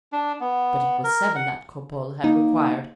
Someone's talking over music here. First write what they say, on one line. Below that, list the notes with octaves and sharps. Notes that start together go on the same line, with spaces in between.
But it was seven that Cropole had required.
D4
B3
A#4
F#5
A#3 D#4